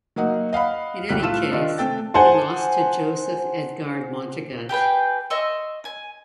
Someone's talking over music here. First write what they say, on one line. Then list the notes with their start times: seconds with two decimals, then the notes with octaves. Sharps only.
In any case, he lost to Joseph Edgard Montegut.
0.16 F#3 A#3 D#4 F#5
0.53 D#5 F5 F#5 B5
1.09 C2 F#3 G3 F#6 B6
1.23 A2 F4 A5 E6 E7
1.51 D#3 D4 F4
1.78 C3 A3 A4 G5 A6
2.14 C5 F#5 G#5 A5 C6
4.69 G4 G#4 B4 G5
5.30 D#5 E5 C6 C#6
5.85 G#5